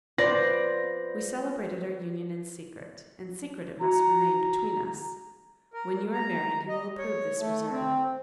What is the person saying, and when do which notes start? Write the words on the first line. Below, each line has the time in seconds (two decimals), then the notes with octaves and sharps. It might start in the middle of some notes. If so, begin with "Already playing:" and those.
We celebrated our union in secret, and secret it must remain between us. When you are married you will approve this reserve.
0.18 F4 B4 C5 D5 A#6
3.81 F#4 A#5
5.74 A#4
6.13 A#5
6.68 D#5
6.98 C#5
7.39 A3
7.71 C4